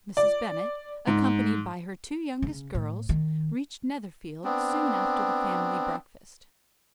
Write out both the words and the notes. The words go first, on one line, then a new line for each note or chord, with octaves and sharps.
Mrs. Bennet, accompanied by her two youngest girls, reached Netherfield soon after the family breakfast.
D5
G#2
C#3
A2
D#3
B3 C4 D4